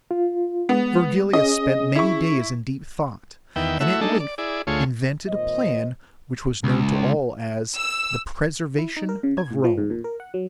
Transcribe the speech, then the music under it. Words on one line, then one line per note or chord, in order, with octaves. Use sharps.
Virgilius spent many days in deep thought, and at length invented a plan which was known to all as the 'Preservation of Rome.'
F4
G#3 B3
C#4 G#4 D#5
E4 C#6
E2 D#3 B3 E5 G5
A3 E4 F#4 E5
G#3 A3 D4 D#4 A4
D5
E4 G#4 D5
D2 A3 F4 G#4 C#5
G#1 A#2 C5 D#5
C#2
E6
E4
D#4
A#4
C#3
G#6
A2
F3
G#2
A#2
A#4
F#5
F#3